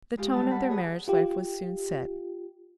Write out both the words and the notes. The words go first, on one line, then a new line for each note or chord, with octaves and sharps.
The tone of their marriage life was soon set.
G#3 F4 G4
E2 G3 A5 E6
B4 F#5
G4 G#4 C#5 D#5 F#5
F4 G4